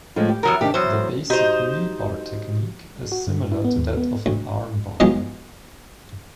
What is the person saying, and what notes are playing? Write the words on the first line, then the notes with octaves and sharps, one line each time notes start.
The basic kneebar technique is similar to that of an armbar.
A2 F3 G#3
G4
E2 F#3 A#4
C3 D#3 D4 G4
E2 F#3 C5
D#4 F#4 G4 C5
F#4
G2
E4
B3
D#2
B3
D2
B2 F3 F#3 G#3 D#4 G4